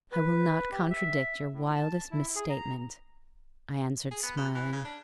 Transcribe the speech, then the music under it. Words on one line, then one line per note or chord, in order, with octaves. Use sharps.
'I will not contradict your wildest misstatement,' I answered, smiling.
B4
G4
E5
A2
A5
E4
G#4
A#5
G#4
B3
B2
E3
C#3
D4